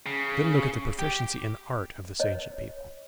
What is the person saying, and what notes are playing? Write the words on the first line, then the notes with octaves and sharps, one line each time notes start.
Then look at the proficiency in art of this ancient people.
C#3
G4
C#5 D#5